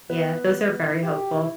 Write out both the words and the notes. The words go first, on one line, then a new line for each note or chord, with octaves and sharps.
Yeah. Those are very helpful,
B3 B4
E4
G4
G4
E4